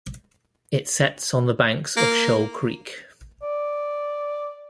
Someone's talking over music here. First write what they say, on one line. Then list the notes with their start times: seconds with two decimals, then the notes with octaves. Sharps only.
It sets on the banks of Shoal Creek.
1.97 A#3
3.42 D5